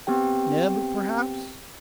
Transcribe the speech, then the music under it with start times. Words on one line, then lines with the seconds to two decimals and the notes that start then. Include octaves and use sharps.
"Neb, perhaps?"
0.07 B3 C4 G4 G5